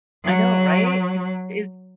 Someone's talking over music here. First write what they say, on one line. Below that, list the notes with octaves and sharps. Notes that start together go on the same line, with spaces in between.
I know, right? It's it's
F#3